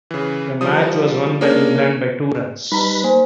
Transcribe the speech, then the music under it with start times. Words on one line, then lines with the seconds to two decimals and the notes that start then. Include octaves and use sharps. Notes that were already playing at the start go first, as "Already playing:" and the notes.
The match was won by England by two runs.
0.11 C#3 E3
0.61 F3 G3 D#6
1.41 A#3 C#4 D4 G#4 A#4
2.72 G3 D#4 B4 A#5 B5
3.04 A#3 C5 G#5